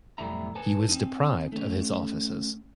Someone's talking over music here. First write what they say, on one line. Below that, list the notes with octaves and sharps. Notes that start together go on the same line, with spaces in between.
He was deprived of his offices.
B1 F2 A2 G3 E4 A#5
B4 G#5 A5
C4 D#4
A3 C#4